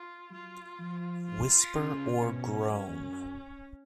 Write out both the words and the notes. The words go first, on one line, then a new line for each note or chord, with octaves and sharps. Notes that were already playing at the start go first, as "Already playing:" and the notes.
Whisper or groan.
Already playing: F4
F#3 F4
F3
F4
C#3
B2 C#4
F#2